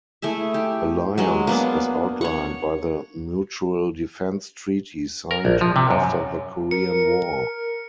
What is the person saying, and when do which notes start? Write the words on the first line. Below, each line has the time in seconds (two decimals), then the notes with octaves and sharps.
Alliance, as outlined by the Mutual Defense Treaty signed after the Korean War.
0.22 A3 E4 G#4 E5
0.54 G4
1.18 F#3 G#3
1.47 A#3 B3 D4
2.21 C#5 F#5 C#6
5.31 A#4
5.45 A#1
5.61 F3
5.76 C3
5.90 F#2
6.71 A#4 C#7